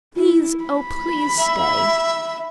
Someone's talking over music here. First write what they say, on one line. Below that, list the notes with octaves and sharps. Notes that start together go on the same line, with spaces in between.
Please, oh! please stay.'
E4
B5
E5